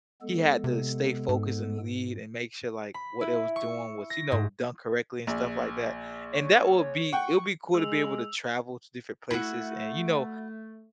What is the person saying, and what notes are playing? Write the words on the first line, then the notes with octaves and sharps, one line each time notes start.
he had to stay focused and lead and make sure, like, what it was doing was, you know, done correctly and stuff like that, and that would be it would be cool to be able to travel to different places and, you know,
G#3 B3 A4
C3
G#2
B5
E4
C#6
A#6
G#2
A#1
C#5
F#5 G5 C#6
G#3 E6 F7
A3 E4 F#4